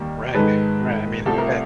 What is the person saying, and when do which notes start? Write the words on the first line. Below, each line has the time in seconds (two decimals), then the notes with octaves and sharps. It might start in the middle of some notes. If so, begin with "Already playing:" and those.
Right, right. I mean, at
Already playing: D#2 D#3 G3 A#3
0.34 G#2 D#3 G#3 A4 B4
1.26 C2 C3 F3 A3 A4
1.38 A#4